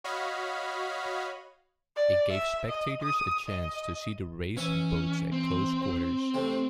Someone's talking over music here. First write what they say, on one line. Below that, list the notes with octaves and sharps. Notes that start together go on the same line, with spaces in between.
It gave spectators a chance to see the race boats at close quarters.
F#4 C#5 D#5 F5 B5
D5
E5
D#5
D#6
D#5
E3 C#4 E5
C4
C3 A3